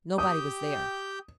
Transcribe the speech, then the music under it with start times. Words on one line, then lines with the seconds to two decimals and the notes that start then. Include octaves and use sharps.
Nobody was there.
0.18 G4 G5 D#6 G6